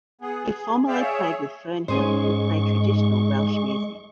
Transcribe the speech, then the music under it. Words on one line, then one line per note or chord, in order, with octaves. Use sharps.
He formerly played with Fernhill, who play traditional Welsh music.
B3 G#4
G#4
G#4 D5 E5 F5 G5
G#4 C#5 E5
G#2 G#3 C#4 G#4 C5 C#6